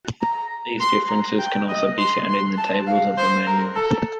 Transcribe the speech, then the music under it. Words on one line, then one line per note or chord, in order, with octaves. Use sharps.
These differences can also be found in the tables of the manuals.
A#5
C6
A#5
G5
D#5
C6
C6
A5
F5
C5
A#4
A4